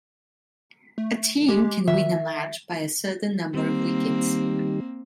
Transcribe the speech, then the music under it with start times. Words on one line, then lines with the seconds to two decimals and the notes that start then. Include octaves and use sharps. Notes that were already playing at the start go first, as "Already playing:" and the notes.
A team can win a match by a certain number of wickets.
0.98 A3
1.48 G#3 G4
1.88 D#3 E5
3.54 D#3 G3 A#3 C4